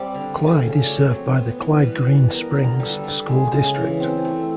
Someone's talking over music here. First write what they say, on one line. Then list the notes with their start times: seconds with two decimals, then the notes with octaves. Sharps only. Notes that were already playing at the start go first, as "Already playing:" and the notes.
Clyde is served by the Clyde-Green Springs school district.
Already playing: G3 C4 D5 E5
0.14 D3
0.38 A3
0.62 C#3
0.82 F#3 C#5 D5
1.11 C4
1.35 B3
1.59 E3
1.83 G3 B4
2.08 E3
2.32 B3 A#4
2.56 D3
2.80 G3 A4
3.04 D3
3.28 G#3
3.52 C#3
3.76 E3
4.00 C4
4.25 A3